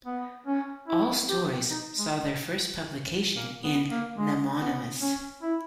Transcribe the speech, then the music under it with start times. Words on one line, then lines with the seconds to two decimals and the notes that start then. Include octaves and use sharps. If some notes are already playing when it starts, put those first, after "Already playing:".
All stories saw their first publication in Nemonymous.
0.06 B3
0.47 C#4
0.88 E4
1.29 G4
1.70 D#4
1.98 G#3
3.36 A#3
3.64 B3
3.91 A#3
4.19 G#3
4.60 B3
5.01 C#4
5.42 E4